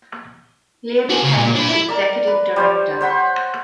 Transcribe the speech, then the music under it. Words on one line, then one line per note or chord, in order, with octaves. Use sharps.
Leahy became its executive director.
F#4 G#4
C#3
A#2
D4 B5
E4
A#4 D5
B4
G3 C5 C#5
C5 F#5 B5 C#6